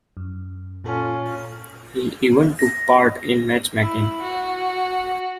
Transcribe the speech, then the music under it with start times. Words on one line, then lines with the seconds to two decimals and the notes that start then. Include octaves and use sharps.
He even took part in matchmaking.
0.17 F#2
0.84 A#2 C#4 F4 A4
2.59 A#6
3.82 E4
4.22 F#4